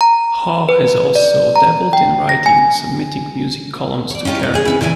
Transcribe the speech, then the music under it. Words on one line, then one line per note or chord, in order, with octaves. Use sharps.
Haug has also dabbled in writing, submitting music columns to Kerrang!
A#5
B4
D5
A#5
G5
A#6
G#5
C#5 D5
C#4 D#4 F4 G4 C#5
D#4 A#5
G#4 G#5
B3 C#4 E4
A#2 C#3 E3 E5 G#5